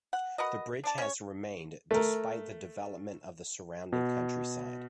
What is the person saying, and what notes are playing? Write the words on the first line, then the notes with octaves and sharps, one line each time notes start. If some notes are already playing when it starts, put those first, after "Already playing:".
The bridge has remained despite the development of the surrounding countryside.
F#5
F#4 A#4 B4 D#5
D4 D5 A5
C#4 C#5
A3 A#4
B2